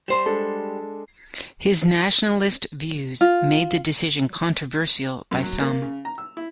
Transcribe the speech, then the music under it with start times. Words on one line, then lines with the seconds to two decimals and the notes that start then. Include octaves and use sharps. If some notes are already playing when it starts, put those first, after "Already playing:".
His nationalist views made the decision controversial by some.
0.08 G3 C5 C6 E7
0.26 G#3 D4 A4
3.21 F4
5.31 F#2
5.43 F#3
5.61 A#3
5.82 C#3
6.05 A#5
6.18 E6
6.37 E4